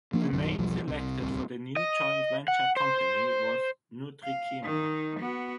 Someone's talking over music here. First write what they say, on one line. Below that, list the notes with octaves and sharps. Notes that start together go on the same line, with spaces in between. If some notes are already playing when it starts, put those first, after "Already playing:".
The name selected for the new joint venture company was Nutricima.
F3 A#3 D4
A#1 F#2 D#3
B1 E2 F3 G3
C2 C3
D1 C2 C3
D#5
F#5
C5
F5
D#3 D#4
B3 F#4